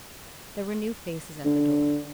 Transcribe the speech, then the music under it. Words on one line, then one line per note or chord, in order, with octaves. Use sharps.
There were new faces at the door.
D3